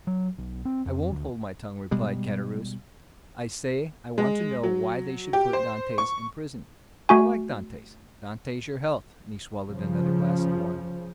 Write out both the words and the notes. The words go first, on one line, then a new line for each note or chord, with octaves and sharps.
"I won't hold my tongue!" replied Caderousse; "I say I want to know why they should put Dantes in prison; I like Dantes; Dantes, your health!" and he swallowed another glass of wine.
F#3
B1
C4
F2
D2
B2 G3 G#3
G#3
F#3
G4
C5
C#6
A3 F#4 G#5
C#3 F3